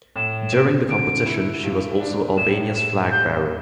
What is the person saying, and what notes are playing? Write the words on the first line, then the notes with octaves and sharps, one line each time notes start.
During the competition she was also Albania's flag bearer.
A2 E7
E7
C4 D7
D3 D7
E4
G2
D4
A2 E7
A2 E7
G2 G6